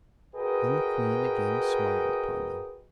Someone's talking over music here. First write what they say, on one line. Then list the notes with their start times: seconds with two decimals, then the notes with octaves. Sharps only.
Then the Queen again smiled upon them.
0.35 F#4 G#4 A#4 B4 D#5 G5